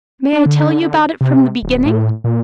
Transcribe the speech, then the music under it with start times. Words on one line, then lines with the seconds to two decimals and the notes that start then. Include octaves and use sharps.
'May I tell you about it from the beginning?'
0.33 D4
0.46 D3
1.21 C3
1.63 D1
1.86 A2
2.24 A#2